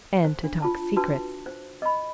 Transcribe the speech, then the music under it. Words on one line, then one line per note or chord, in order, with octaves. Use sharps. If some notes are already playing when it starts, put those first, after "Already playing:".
"And to talk secrets."
C5
D4
F4 A5
D4 F#4 B4 A5
C5
D#5 B5